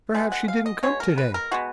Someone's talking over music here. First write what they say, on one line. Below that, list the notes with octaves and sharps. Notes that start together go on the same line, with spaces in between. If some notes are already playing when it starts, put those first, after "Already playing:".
"Perhaps she didn't come today."
B2 G#3
F#5
F5
D#5
B2 G#3 C#5
A#4
B4
A#4
B2 G#3 B3 F#4